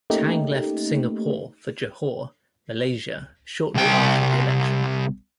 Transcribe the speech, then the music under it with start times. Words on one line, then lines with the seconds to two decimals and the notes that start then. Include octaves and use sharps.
Tang left Singapore for Johor, Malaysia, shortly after the election.
0.10 A3 A#3 C#4 D#4 G4
3.75 C2 G5